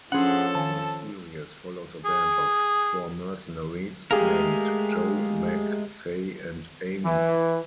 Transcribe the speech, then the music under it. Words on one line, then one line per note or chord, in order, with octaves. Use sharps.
The series follows a band of four mercenaries, named Jo, Meg, Sei, and Amy.
F3 C#4 D4 G#4 A4 C#5 F#5 C6
D#3 F5 G#5 A5
G#4
G#3 A3 G4 G#4 A#4 F5
E3